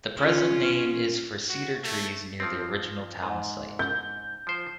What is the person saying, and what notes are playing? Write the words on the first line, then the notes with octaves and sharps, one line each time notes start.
The present name is for cedar trees near the original town site.
C#4 F4
F#4
A3
F3 C4
G#2
G6
F3 C5